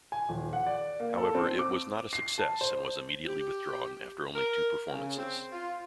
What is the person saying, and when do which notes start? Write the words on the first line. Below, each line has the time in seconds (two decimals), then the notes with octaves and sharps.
However, it was not a success and was immediately withdrawn after only two performances.
0.12 G#5
0.29 D#1
0.53 F#5
0.66 D5
1.00 A#3
1.17 A4
1.35 C4
1.59 D6
2.13 C7
2.38 A5
2.61 C5
3.27 G4
4.34 A#4
4.91 C#3
5.17 C4
5.51 F4